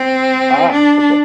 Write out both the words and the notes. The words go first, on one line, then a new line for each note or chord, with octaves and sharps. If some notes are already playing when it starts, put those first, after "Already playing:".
Ah, okay.
Already playing: C4
D4